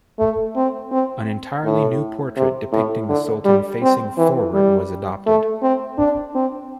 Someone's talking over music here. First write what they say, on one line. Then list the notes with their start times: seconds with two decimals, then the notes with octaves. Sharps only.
An entirely new portrait depicting the Sultan facing forward was adopted.
0.19 A3
0.56 C4
0.92 C4
1.65 A2
2.37 C3
2.72 A2
3.09 D3
3.45 G3
3.82 C4
4.18 E3
4.54 G3
5.26 A3
5.62 C4
5.98 D4
6.35 C4